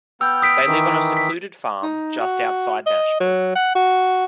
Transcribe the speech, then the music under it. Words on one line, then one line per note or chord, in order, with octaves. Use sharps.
They live on a secluded farm just outside Nashville.
B3 G5 E6 F6 G6
D#6 B6 D7
D#3 E3
B6
D#4
F#4
D#5
F#3
F#5
F#4